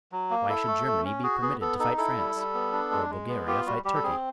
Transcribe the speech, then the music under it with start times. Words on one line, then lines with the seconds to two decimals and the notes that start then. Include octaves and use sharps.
Why should Germany be permitted to fight France, or Bulgaria fight Turkey?
0.12 F#3
0.30 A#3
0.49 E4 A4
0.67 A3
0.87 A3
1.05 C#4
1.23 F#4 G#4
1.42 B3 G#4
1.61 B3 A4
1.79 D#4 A4
1.98 E4 A4
2.17 G3
2.35 G3
2.54 B3
2.72 D4
2.91 G#3
3.10 G#3
3.29 B3
3.47 F4 G4
3.66 G3 F#4
3.84 G3 G4
3.95 A4
4.03 C4 G#4